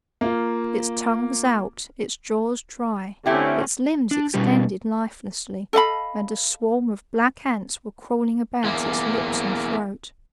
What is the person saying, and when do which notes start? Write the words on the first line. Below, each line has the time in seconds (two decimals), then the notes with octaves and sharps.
Its tongue was out, its jaws dry, its limbs extended lifelessly, and a swarm of black ants were crawling about its lips and throat.
0.21 A#3 F4
3.26 D3 A3 C4 C#4 E4 G4
4.11 D4
4.34 B2 G3 C#4 G4
5.73 A4 D#5 F5 B5
8.64 E2 A#3